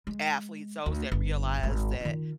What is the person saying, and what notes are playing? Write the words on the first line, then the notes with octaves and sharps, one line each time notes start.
athletes those that realize that
G#3
D2
G1
G#1
D#3 F4